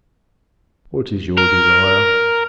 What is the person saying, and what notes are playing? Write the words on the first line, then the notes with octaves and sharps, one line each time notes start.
"What is your desire?"
A#4